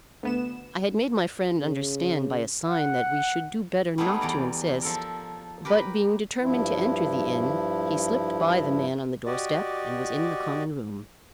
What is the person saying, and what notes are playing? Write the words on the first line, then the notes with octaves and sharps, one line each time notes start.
I had made my friend understand by a sign that we should do better not to insist; but, being determined to enter the inn, he slipped by the man on the doorstep and was in the common room.
D2 B3 E7
C#3
F#5
G3 A3 B3 D#4 G#4
E2 D5 A#5
F3 A4 A#4
G4 A#4 B4
G2 F3 E4
F#4 G4 D5 D#5